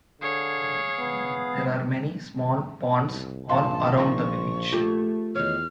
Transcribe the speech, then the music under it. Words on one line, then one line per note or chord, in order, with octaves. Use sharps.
There are many small ponds all around the village.
D3 G#4 C#5 F5
B3
C2
A#1 G2 C3 F5 A5 C6
F3 C4 D#4 C#6
A3 F4 G4 G#4
E2 D#3 C#5 F6